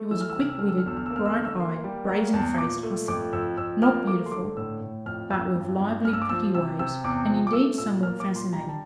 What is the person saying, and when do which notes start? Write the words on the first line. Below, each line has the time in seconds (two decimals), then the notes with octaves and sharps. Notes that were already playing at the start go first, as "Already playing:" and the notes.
She was a quick-witted, bright-eyed, brazen-faced hussy, not beautiful, but with lively pretty ways, and indeed somewhat fascinating.
Already playing: A3
0.11 E3 E6
0.21 F6
0.30 E6
0.36 C3 F6
0.49 E6
0.59 D3 F6
0.69 E6
0.78 F6
0.86 E2 E6
0.97 F6
1.06 A#3 E6
1.16 F6
1.25 E6
1.35 D3 F6
1.45 E6
1.59 A#3 C6
1.84 G3
2.09 A#3 A#5
2.33 E2 A5
2.58 A#2 D6
2.83 A3
3.08 F2 D6
3.33 F2 E6
3.58 F2 E6
3.82 A#3 F6
4.07 A3 D6
4.26 C6
4.32 D3 D6
4.57 A2 E6
4.81 A2
5.06 F2 F6
5.30 F2 E6
5.56 G2
5.80 G2
6.05 G2 F6
6.13 E6
6.22 D6
6.29 F3 E6
6.54 C3 E6
6.79 C3 E6
7.04 E2 D6
7.29 F3
7.47 D6
7.53 A3 E6
7.78 A#2 E6
8.03 A#3 F6
8.20 D6
8.28 A#2
8.36 C6
8.53 G3 A#5
8.68 A5